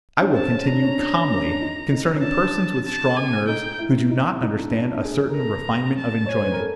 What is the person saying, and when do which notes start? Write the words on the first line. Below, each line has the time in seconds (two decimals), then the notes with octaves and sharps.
I will continue calmly concerning persons with strong nerves who do not understand a certain refinement of enjoyment.
0.21 D4
0.29 C#4
0.35 C4 A5
0.51 C#4
0.66 D4 A#5
0.82 C#4
0.98 D4
1.13 C#4
1.29 C#4
1.45 D4
1.61 D#4
1.92 D#4
2.16 C#4
2.23 D4 A5
2.85 A5
3.17 G#5
3.48 D#4 G5
3.79 E4
4.11 D#4
4.26 E4
4.42 D#4
4.57 D4
4.72 D4
4.88 D4
5.05 G#4
5.20 A4
5.29 A#4
5.36 A4 A#5
5.98 A5
6.26 C#5 G#5
6.34 C5
6.43 B4
6.52 A#4
6.60 A4